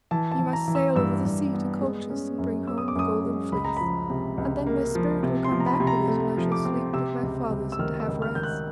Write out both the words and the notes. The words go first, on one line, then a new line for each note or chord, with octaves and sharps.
'You must sail over the sea to Colchis, and bring home the golden fleece; and then my spirit will come back with it, and I shall sleep with my fathers and have rest.'
E3 A5
A5
E3
A#5
E3
E6
G2 E6
G2
B3
G#3
C#4
F#2
C#4 E6
D#6
D6
F#2 D#6
G#3
C#2 B5
A#5
F3 B5
C3
C#2
A#3
F3
C3
C6
F3
A#5
B5
C3
A#5
A3
F3
D6
C4
C3 E6
C#2
C#2
E6
D#3 F6
E6
C#2
F6
D#3 G6
F#6